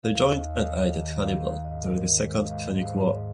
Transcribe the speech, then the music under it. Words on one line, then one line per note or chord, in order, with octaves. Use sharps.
They joined and aided Hannibal during the Second Punic War.
D#2 F5
D#2 D#5
F5
D#2 D#5
D#3 D#5
D#3 F5
D#2 F5
G#2 D#5
A#4
D#3 C5
G#3 C5
F5
G#2 D#5
G#2 F5
C5
G#2 D#5